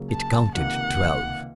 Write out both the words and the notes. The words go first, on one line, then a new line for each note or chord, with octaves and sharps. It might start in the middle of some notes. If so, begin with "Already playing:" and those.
It counted twelve.
Already playing: C#2 C#3 F#3 A#3
A5
C#2 C3 D#3 A#3 F#5